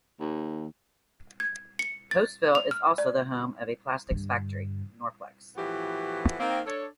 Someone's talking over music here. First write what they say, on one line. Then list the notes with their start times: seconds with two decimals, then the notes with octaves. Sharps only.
Postville is also the home of a plastics factory, Norplex.
0.20 D#2
1.40 G#6
1.79 C#7
2.11 A6
2.55 F7
2.71 F6
2.98 D5
4.11 G2 D3
5.55 A2 E3 F3 B3 F#4 G4
6.39 D#3 A#3 C4
6.66 D4 A4 C#5